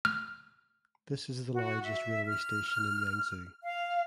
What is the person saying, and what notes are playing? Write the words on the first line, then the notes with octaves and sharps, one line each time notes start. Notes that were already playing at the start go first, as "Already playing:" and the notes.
This is the largest railway station in Yangzhou.
F6
F#4
E5
F6
F5